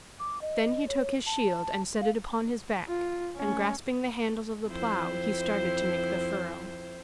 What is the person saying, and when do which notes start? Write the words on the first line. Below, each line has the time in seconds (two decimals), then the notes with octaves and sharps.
Then he took his shield and set it upon his back, and grasping the handles of the plow he started to make the furrow.
0.19 D6
0.42 D#5
0.88 C#5
1.26 A5
2.01 F5
2.87 F4
3.38 A3 C#4
4.66 F2 E4 C5